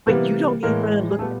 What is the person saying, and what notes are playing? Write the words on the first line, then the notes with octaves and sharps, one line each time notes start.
But you don't even look at
C3 E3 G3 A#3 B3 B4
A2 E3 G#3 A#3 A#4
G#4
A#2 G3 A3 B3 A4